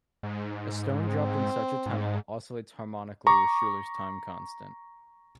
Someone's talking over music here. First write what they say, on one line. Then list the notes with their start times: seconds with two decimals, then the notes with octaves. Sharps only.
A stone dropped in such a tunnel oscillates harmonically with Schuler's time constant.
0.23 G#2
1.08 C4
1.86 G#2
3.27 A#5 C#6 D6